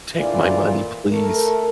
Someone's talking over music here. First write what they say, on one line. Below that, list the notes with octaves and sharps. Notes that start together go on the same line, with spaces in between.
Take my money, please."
D2 A#2 E3 F4 D5
A3 A#4